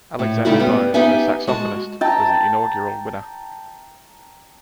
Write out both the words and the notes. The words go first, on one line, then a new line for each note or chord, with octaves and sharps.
Alexander Bone, a saxophonist, was the inaugural winner.
A2
C#3 G3 A3 D#4 E4 F#4
G3 B3
B3 D#4 G4 B4 E5 G#5
G#3 F#4 A5
G5 A5 A#5